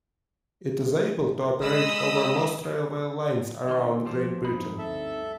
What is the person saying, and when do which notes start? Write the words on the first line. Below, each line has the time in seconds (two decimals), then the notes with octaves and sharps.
It is able to operate over most railway lines around Great Britain.
1.63 G#3 D#5 B5 D#6 E6
3.69 D3 D#3 C4 C6
4.06 C2 F2 F3 G4 A4 C5
4.45 F#2 F3 C4 D#4 B5
4.78 G1 D2 A4 E5